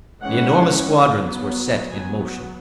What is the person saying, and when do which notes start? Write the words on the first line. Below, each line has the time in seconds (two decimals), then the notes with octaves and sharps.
The enormous squadrons were set in motion.
0.23 E3 G#3 C#4 F#5
1.07 F#3 B3
1.90 F#3 B3 G#5